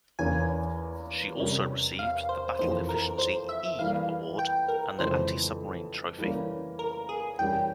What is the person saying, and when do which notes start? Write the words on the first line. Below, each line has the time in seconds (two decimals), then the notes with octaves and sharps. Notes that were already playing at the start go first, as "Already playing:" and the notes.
She also received the Battle Efficiency "E" Award and the Anti-Submarine Trophy.
0.19 E2 E3 A#3 C#4 G#5
1.39 C3 G3 C#4 G4 A#4
1.99 F5
2.29 C5
2.59 F2 E3 A#3 C5
2.89 A#4
3.18 C5
3.49 E5
3.79 E3 G3 A#3 F5
4.39 G5
4.68 A#4
4.99 F2 C#3 E3 G#3 C5
6.19 E3 G3 A#3 C#4
6.79 A#4
7.09 G#4
7.39 E3 G3 C#4 G4 A#4 G5